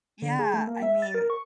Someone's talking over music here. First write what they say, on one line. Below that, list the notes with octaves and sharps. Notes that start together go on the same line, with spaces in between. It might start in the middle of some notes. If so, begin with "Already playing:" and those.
Yeah, I mean,
D3
G#4
A3
A#3
E5
A6
A#4
C#6